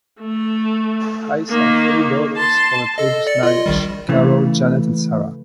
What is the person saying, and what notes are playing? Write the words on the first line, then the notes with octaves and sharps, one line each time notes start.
Hays has three daughters from a previous marriage: Carol, Janet and Sarah.
A3
D#3 A#3
A5 C6
A4 D#5
D5 C#7
F4 D#5
A#1 D#3 G3
C#3 E3 A3